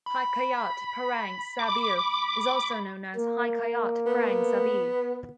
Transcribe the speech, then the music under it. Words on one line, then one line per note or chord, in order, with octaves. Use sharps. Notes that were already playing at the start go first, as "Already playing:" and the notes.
Hikayat Perang Sabil is also known as "Hikayat Prang Sabi".
B5
D6
A#3
B3